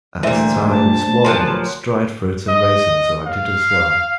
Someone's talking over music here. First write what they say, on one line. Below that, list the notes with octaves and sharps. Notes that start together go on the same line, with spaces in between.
At times, walnuts, dried fruit and raisins are added as well.
D2 A#2 E3 G3 C5 E5
C5 A5
A#2 F3 F#3 C6
D#5
F5